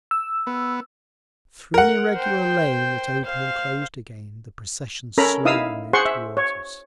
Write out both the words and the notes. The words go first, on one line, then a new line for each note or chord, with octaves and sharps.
Through an irregular lane that opened and closed again the procession slowly moved toward us.
E6
B3
A#4 F#5
C5 G5
C5 F5
C#4 A4 A#4 A#5 B5
D#4 E4 F5 D#6 E6
G#4 C5 F#5 C6 C#6
E5
C#5